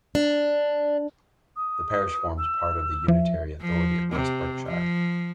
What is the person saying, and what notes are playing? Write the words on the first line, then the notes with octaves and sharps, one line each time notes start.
The parish forms part of the unitary authority of West Berkshire.
D4
D#6
E6
F3 E5
F3
C3
F3